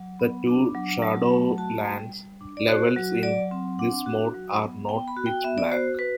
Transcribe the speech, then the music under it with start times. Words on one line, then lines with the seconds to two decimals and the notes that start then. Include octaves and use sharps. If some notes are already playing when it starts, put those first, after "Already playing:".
The two Shadowlands levels in this mode are not pitch black.
Already playing: F#3
0.20 B3
0.47 D4
0.75 F#3
1.02 F#3
1.30 A3
1.58 F#4 A5
1.85 G3
2.13 G3
2.41 D4
2.57 D5
2.68 F#4 C5
2.96 F#3
3.23 F#3 D5
3.51 C4
3.79 D4 F#5
4.06 F#4
4.34 F#3
4.61 B3
4.89 B3 G5
5.08 B5
5.16 F#4
5.26 G5
5.44 B3 E5
5.58 D5
5.72 F#4 C5
5.99 F#4 B4